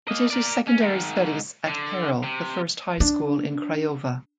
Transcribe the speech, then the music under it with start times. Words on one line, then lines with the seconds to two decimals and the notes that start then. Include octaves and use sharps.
He did his secondary studies at Carol the First High School in Craiova.
0.08 A#3 D#5
0.30 A#4 D5
0.68 C#4
0.80 G#2 D#3
1.67 D3
2.23 C3
3.00 D4